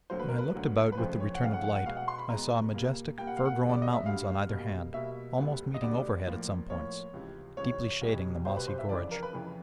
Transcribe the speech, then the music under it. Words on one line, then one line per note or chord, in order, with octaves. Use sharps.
When I looked about with the return of light I saw majestic fir-grown mountains on either hand, almost meeting overhead at some points, deeply shading the mossy gorge.
D2 D3 F#3 A#3 C5
B4
A#4
B4
D2 D3 F#3 A#3
B4
F2 C#3 F3 A3 C5
C#5
F#5
F2 C#3 F3 A3 F5
F#5
F#5
F#5
B2 G#3 B3 F5
F#5
C6
B5
B2 G#3 B3 A#5
A#2 G3 A#3
A#2 G3 A#3 G5
F#5
F5
F#5
D2 D3 G3
D5
D#5
E5
D2 D3 G3 F5
B2 G3 A#3
B2 G3 A#3 E5
D2 D3 G3 B3
D#5
D2 D3 G3 B3 D5
A2 F3 A#3
A2 F3 A#3 C#5
C#2 C3 E3
C#2 C3 E3 C#5
C2 B2 G3
C2 B2 G3 C5
B4
C5
E5
F2 C#3 E3 D5
A#4
B4
F2 C#3 E3